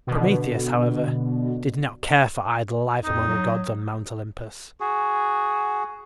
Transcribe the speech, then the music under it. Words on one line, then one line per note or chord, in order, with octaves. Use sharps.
Prometheus, however, did not care for idle life among the gods on Mount Olympus.
B2 D3
F2 D#4
F#3
F#4 G#4